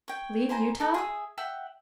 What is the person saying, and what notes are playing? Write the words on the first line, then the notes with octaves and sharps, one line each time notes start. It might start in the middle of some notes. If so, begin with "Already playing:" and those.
"Leave Utah!"
C#5 G5
E4 C5 G#5 A#5
A4 D5 A#5
G#4 E5 D#6
E5 F#5 G5